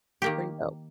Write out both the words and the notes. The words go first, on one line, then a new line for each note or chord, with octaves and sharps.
It's pretty dope.
D#3 A#3 G4